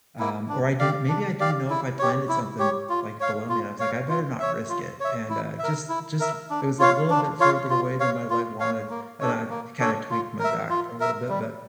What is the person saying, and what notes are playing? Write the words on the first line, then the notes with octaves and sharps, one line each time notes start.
um, or I didn't maybe I didn't know if I planted something, like, below me and I was like, "I better not risk it," and, uh, just just it was a little bit further away than my leg wanted, and I kinda tweaked my back for a little bit, but
A#3 E4
D4
G4 D5 F5
D4
G4 D5 F5
E4
G4 C#5
E4
G4 C#5
F4
C#5 F5
F4
C#5 F5
F4
C#5 E5
F4
C#5 E5
E4
A#4 E5
E4
A#4 E5
D4
F4 C#5 F5
D4
F4 C#5 F5
F4
C#5 F5
F4
C#5 F5
A#3
D4 A4 C#5
A#3
D4 A4 C#5
F4
A#4
E5
F4
A#4 E5
G3